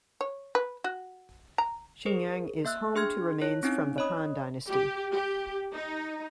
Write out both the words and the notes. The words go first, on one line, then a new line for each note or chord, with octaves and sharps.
Xingyang is home to remains from the Han dynasty.
C#5
B4
F#4
A#5
G#4 A#4 C5
A#3 E5 E6 F#6
D4 G#4 C6 F6 G#6
E4 C#5
C4 C#4 D#4 D7
C#5 D#5 B5 D#6
G4
G4
D#4